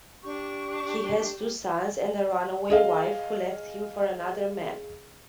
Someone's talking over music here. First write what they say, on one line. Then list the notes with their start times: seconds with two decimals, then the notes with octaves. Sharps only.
He has two sons and a runaway wife who left him for another man.
0.24 D4 G4 C#6
2.70 G#4 D#5 F5